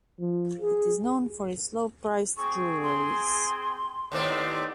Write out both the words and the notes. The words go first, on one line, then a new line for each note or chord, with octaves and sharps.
It is known for its low-priced jewelries.
F3
G#4
C4 G#4 C#6
C6
D#2 A2 B3 C4 D#4 D5